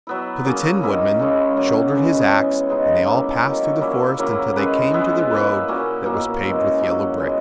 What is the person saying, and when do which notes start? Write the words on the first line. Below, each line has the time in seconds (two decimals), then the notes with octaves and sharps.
So the Tin Woodman shouldered his axe and they all passed through the forest until they came to the road that was paved with yellow brick.
0.07 F#3 B3 E4
0.45 F#3 A#3 C#4 G#4
0.82 D#3 A#3 E4 G#4
1.20 C#3 G#3 C#4
1.57 C#3 F#3 A#3
1.94 C#3 G#3 B3
2.31 C#3 E3 B3
2.69 C#3 G#3 B3 D#4
3.06 D#3 A#3 E4
3.44 D#3 F#3 C#4 E4
3.81 A#2 A#3 C#4 E4
4.18 C#3 F#3 A#3 E4
4.56 G#3 C#4 G#4 B4
4.93 E3 G#3 B3 E4
5.31 A#3 E4 B4
5.68 A#2 A#3 C#4 F#4
6.06 B2 A#3 E4
6.43 C#3 E3 G#3
6.81 F#3 A#3 C#4
7.18 A#2 G#3 B3